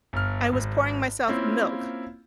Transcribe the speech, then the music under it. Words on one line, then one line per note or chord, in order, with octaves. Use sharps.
I was pouring myself milk,
G1 F6
G#1
A#3 C4 C#4 E4 F4